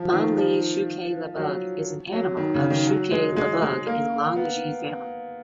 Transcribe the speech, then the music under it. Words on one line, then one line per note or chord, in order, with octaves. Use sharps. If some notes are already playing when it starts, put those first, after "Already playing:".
Man Li Chu Ke La Bug is an animal of Chu Ke La Bug in Liang Ji family.
Already playing: F3
D#3
F3
F#3
F#3
D#3
C#3
D#3
F#3
G#3
G#3
G#3
A#3
B3